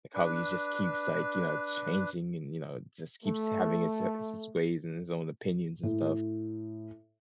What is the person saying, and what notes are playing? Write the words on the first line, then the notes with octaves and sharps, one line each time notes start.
like how he just keeps, like, you know, changing and, you know, just keeps having his, uh, his ways and his own opinions and stuff.
D4 B4
A3
A2